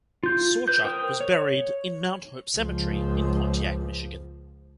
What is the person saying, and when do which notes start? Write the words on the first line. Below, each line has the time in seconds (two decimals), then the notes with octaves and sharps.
Sawchuk was buried in Mount Hope Cemetery in Pontiac, Michigan.
0.23 F4 G6
0.68 B4 G6
0.84 A#4 C5 G5 D#6
1.20 C#5
2.57 C#2 F3